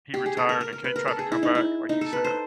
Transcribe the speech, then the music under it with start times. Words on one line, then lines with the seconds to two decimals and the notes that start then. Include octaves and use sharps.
he retired, and Kade tried to come back like you said.
0.14 G4
0.26 G#4
0.37 A4
0.49 A#4
0.61 A#4
0.73 A#4
0.84 B4
0.96 A#4
1.08 A4
1.19 G#4
1.32 E4
1.43 D#4
1.55 E4
1.89 D#4
2.01 A4
2.13 B4
2.24 C5